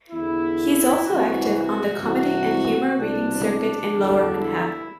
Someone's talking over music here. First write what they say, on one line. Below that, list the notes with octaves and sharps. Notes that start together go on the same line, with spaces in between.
He is also active on the comedy and humor reading circuit in lower Manhattan.
E2 D3 E4
C2 C3 E3 F#4
F#4
C2 C3 E3 F#4
C2 B2 D4
D4
E2 D3
E4